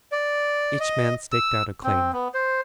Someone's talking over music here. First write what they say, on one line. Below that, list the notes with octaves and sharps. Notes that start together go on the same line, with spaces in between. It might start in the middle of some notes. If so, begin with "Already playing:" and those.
Each man staked out a claim.
D5
D#5
E6
C4
B3
C5